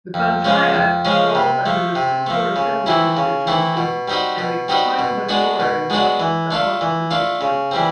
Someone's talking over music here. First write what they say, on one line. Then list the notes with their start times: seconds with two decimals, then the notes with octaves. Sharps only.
The panchayat falls under the Sulur Assembly constituency and the Coimbatore Lok Sabha constituency.
0.14 F2
0.44 C#3 F3 G#3 C#4
0.74 F2
1.05 C#3 F3 G#3 C#4
1.35 C3
1.66 F3 A3
1.96 C3
2.26 F3 A3
2.56 C#3
2.86 E3 A3 C4 E4
3.17 C#3
3.47 E3 A3 C4 E4
3.77 B2
4.08 G3 C4 D#4 F#4
4.38 B2
4.68 G3 C4 D#4 F#4
4.99 B2
5.29 G#3 B3 D4 F#4
5.60 B2
5.90 G#3 B3 D4 F#4
6.20 E3
6.51 A3 D4 F4
6.81 E3
7.11 A3 D4 F4
7.41 C#3
7.71 E3 G3 C4